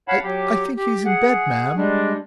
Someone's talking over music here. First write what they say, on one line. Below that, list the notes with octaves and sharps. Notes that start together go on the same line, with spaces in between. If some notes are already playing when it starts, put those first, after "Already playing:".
"I--I think he's in bed, ma'm."
C#5 F5 F#5 A5 B5
F#3 G4
G4
G#4 F#5
G3 G#3 D4